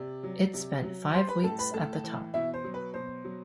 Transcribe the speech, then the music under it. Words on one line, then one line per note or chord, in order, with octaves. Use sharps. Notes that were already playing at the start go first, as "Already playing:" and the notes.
It spent five weeks at the top.
Already playing: C3 D5
F#3
C3
F#3
G3 C5 C6
B4 B5
A2 A4 A5
B4 B5
A2 A4 A5
E3
B2 E4 E5
C5
F#3
B4
B2 C5
F#3